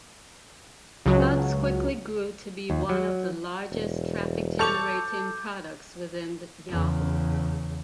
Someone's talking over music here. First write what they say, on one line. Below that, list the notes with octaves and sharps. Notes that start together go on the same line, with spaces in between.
Clubs quickly grew to be one of the largest traffic-generating products within the Yahoo!
C#2 C#3 F#3
D#2
F#3
E1
A4 C#6 D6 G6 F7
E2 C#3